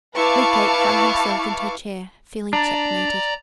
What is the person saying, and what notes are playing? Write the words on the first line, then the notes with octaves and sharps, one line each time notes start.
Lydgate flung himself into a chair, feeling checkmated.
E4 B4 F5 A5 C#6 D6
D4 D5 A#5